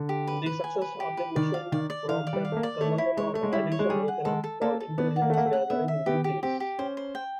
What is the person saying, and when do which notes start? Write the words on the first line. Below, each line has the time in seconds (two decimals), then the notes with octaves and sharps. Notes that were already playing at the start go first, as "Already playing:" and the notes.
The success of the mission prompted conversion of additional aircraft for intelligence gathering duties.
Already playing: D3
0.09 G4
0.27 B4
0.46 B4
0.64 G#5
0.82 B4
1.00 G4
1.17 B4
1.36 D#3 D5
1.54 F5
1.72 D#3 D5
1.90 D5
2.08 E3 F5
2.27 D5
2.33 G3
2.45 F5
2.52 A3
2.57 A#3
2.63 D5
2.81 A3 C#5
2.98 E4
3.17 G#3 C#5
3.34 A3 C#5
3.43 G#3
3.53 G3 E4
3.72 C#5
3.79 G#3
3.89 G3 G#4
4.08 F#5
4.25 G#3 A4
4.44 A4
4.62 A#3 A4
4.80 A4
4.98 B3 D5
5.16 F#5
5.22 A#3
5.30 A3
5.34 A#3 F#5
5.46 A3
5.53 F#5
5.70 B3 E5
5.88 E5
6.06 B3 G4
6.24 G4
6.43 C4 G4
6.60 G4
6.79 C#4 C5
6.97 C5
7.15 G5